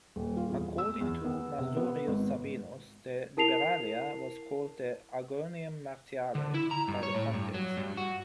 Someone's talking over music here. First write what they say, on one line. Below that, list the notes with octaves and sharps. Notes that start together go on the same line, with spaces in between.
According to Masurius Sabinus, the Liberalia was called the "Agonium Martiale" by the pontiffs.
D#1
F4
E2
E6
E2
B3
C3
B3
G#1
E4 A#4 A5 C7 F7
D3
E4
A#5
G2
C#5
A2
G2
F#3
G2
F#4